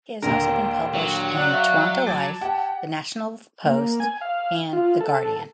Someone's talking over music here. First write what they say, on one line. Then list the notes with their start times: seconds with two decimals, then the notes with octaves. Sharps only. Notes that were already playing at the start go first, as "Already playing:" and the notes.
He has also been published in "Toronto Life", the "National Post" and "The Guardian".
0.22 D#2 A#2 D3 A#4 G5
0.94 F#3
1.36 D5 F#5 F#6
1.51 E5 F5 C#6
2.07 A5 D6 G#6 A6
2.41 G4 F#5
3.66 A#3
4.00 G#5
4.21 F5
4.73 F4
5.00 A4